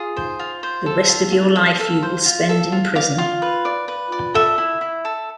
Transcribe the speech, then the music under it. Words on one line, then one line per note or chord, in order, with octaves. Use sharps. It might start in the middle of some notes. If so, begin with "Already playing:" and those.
The rest of your life you will spend in prison.
Already playing: F4 G#4
C5
F4
C5
A4
F4
F4
A4 F5
A4
C5
F4
A4
F4
D5 F5
F4
B4
D5
B4
D5
A4 E5
E4
E4
A4